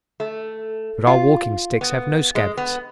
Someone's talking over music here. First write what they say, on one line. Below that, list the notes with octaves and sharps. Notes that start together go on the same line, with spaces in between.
But our walking-sticks have no scabbards.
A3
F4
B3
G#3
B3